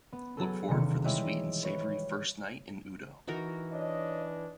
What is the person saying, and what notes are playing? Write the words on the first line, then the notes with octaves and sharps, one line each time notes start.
Look forward for the sweet and savory first night in Udo!
B3
F#3 B3 G#4 A4
E1 C3 D#3 C#7
G3 G#3 E4 C#5 D#5 E5
B4 C#5
E3 D#4 F#4 A#4
D4 C#5 D#5